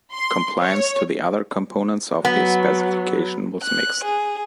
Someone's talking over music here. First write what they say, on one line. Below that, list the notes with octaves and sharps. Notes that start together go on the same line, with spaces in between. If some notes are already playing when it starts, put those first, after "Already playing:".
Compliance to the other components of the specification was mixed.
C6
C#5
F#3 B3
F#6
G#4